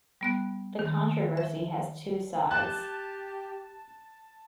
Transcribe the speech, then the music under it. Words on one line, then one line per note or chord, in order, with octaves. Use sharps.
The controversy has two sides.
G3 B3 F#6
D#3
E5
G4 A5 F#6